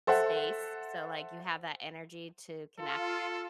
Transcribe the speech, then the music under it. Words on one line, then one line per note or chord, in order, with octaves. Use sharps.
space, so, like, you have that energy to connect
A4 C5 E5 F#5
F4 A4